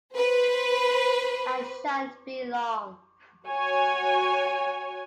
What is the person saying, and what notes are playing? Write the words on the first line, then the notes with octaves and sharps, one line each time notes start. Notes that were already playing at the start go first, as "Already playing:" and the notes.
I shan’t be long.
B4 C5
F#4 C#5 G#5